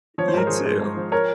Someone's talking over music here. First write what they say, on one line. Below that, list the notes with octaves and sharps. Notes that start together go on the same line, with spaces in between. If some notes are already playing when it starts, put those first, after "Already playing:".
You, too.
F3 C#5
C5
G#2 A#4
F3 G#4 C5
G#2
G#2
F3
A#4 C#5